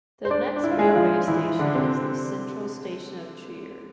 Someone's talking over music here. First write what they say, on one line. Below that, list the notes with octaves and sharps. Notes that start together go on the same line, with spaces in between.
The next railway station is the central station of Trier.
C5
D4 D5
D4
E4
F4
G#3 G#4
F3 F4
E3 E4
D3 D4
C3 C4